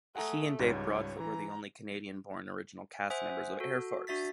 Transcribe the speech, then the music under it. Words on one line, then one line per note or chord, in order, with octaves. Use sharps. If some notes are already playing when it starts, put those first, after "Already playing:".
He and Dave Broadfoot were the only Canadian-born original cast members of "Air Farce".
A3 F#5 G#5 A#5 D#6
C#2 G#2 G3 C#5
E3 A#5
C5 E5 F#5 G#5 D#6 F#6
F#4 A4
D4 F#4 E5 A6 B6